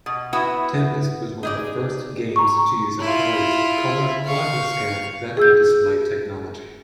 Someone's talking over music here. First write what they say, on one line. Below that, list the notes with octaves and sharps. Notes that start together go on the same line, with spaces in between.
"Tempest" was one of the first games to use Atari's Color-QuadraScan vector display technology.
B2
B3 E4 F#4
D#4 G#4 D5
A#5 C#6
E4 F4
F5 C#6
G#4 E6 G6